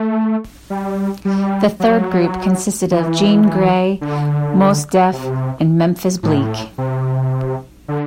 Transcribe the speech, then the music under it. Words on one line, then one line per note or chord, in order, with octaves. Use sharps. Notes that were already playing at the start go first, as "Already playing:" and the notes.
The third group consisted of Jean Grae, Mos Def and Memphis Bleek.
Already playing: A3
G3
G3
F#3
E3
D3
C3
A2
C3
D3